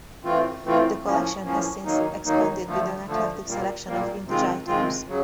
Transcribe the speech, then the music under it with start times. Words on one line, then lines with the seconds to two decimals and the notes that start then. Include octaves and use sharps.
The collection has since expanded with an eclectic selection of vintage items.
0.24 A2 E3 A3 C4 F4
0.64 A2 E3 A3 C4 F4
1.04 A2 F3 A#3 C#4
1.45 A2 F3 A#3 C#4
1.84 D#3 F#3 A#3 D#4
2.25 D#3 F#3 A#3 D#4
2.66 D3 F3 A3
3.06 D3 F3 A3
3.46 A#2 G3 A#3
3.87 A#2 G3 A#3
4.26 C3 D#3 G#3 C4 F4
4.67 C3 D#3 G#3 C4 F4
5.08 C#3 F#3